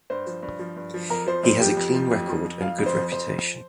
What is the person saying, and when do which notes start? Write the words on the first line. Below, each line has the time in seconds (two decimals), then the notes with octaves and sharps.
He has a clean record and good reputation.
0.10 G2 C5
0.27 F3
0.43 G2
0.59 F3
0.76 G2
0.94 F3
1.10 F2 A#4
1.26 F3 C5
1.43 F2 C5
1.60 F3 G4
1.77 F2
1.94 F3
2.12 F2
2.28 F3
2.45 F2
2.61 F3 F5
2.79 F2
2.86 C5
2.94 F3
3.12 F2 C5
3.29 F3